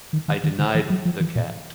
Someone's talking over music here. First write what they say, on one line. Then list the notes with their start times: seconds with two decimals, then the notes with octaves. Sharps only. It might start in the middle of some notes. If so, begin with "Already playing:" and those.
I denied the cat.
0.13 D#3
0.28 D#3
0.44 D#3
0.59 D3
0.75 E3
0.90 F#3
1.05 F3
1.20 E3
1.36 A#2